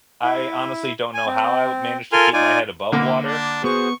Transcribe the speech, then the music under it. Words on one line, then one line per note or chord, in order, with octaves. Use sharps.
I honestly don't know how I managed to keep my head above water,
E4
G#5
C4
F4 A4 A#4 G#5 C6 F6
D#4 F4 D5 G#5
D3 A#3 E4
D4
B3 F#4 G#4 C5 C#6